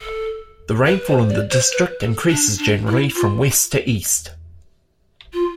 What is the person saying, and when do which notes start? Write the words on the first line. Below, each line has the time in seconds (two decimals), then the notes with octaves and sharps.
The rainfall in the district increases generally from west to east.
0.01 A4
0.86 B4
1.08 C5
1.29 D5
1.51 C5
1.72 B4
2.01 A4
2.29 D4
2.58 D4
2.87 E4
3.15 F4
5.33 F4